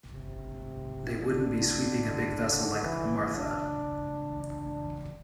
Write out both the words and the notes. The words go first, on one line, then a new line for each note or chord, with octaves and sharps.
They wouldn't be sweeping a big vessel like the Martha.
C3
D3
E3
D4
D4